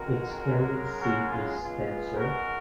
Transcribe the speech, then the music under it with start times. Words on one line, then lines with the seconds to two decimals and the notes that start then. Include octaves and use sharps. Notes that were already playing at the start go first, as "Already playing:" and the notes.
Its county seat is Spencer.
Already playing: F2 D#3 G#3 B3 F#4 A#4
0.43 F#2 C#3 G#3
1.01 F#4 A#4
1.29 F4 G#4
1.58 C#2 B2 G#3 B3 F4 G#4
2.15 F#4 A#4